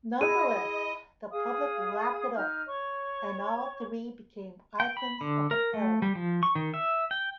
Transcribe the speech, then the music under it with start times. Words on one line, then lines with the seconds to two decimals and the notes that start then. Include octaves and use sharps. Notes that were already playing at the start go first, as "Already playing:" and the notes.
Nonetheless, the public lapped it up and all three became icons of an era.
0.21 E4 G#4 D#5 D#7
1.30 G#4 F5 D#6
2.35 D#4 F6
2.66 C#5 C#6
4.80 G5
4.97 B5
5.21 D3
5.51 A#4
5.74 A3
6.02 G3
6.15 F3
6.43 C#6
6.55 D#3
6.74 E5
7.11 G5